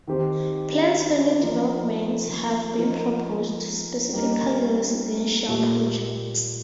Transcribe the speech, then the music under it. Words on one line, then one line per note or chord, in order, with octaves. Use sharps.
Plans for new developments have been proposed, specifically residential projects.
D#3 C4 G4 C5
F3 D#4 A#4
F3 D#4 A#4
G3 A#3 D#4 A#4
A#2 A#3 G4 A#4